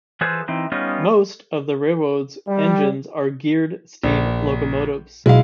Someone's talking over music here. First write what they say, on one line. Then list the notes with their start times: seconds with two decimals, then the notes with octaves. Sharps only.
Most of the railroad's engines are geared steam locomotives.
0.21 E3 F4 G#4 A4 B4 C5
0.48 E3 C4 D#4 E4
0.72 G3 B3 C#4 D#4 F4
2.48 G3
4.03 A#1
5.26 B1 G#3 E4 F5